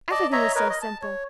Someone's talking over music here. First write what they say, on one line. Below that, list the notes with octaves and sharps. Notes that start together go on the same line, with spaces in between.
Everything was so simple.
D5 D#5 A5
C#5 D#5 E5 A#5
A#4 B4 C#5 D#5
D#5
A5
C#5